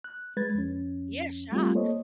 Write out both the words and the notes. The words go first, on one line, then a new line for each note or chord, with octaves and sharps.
Yeah, shocked,
F#6
G#3 B4 G#6 A6
F2 C#4
G3 A3 C4 F4 G4
A#3 A4 C5 C#5 D#5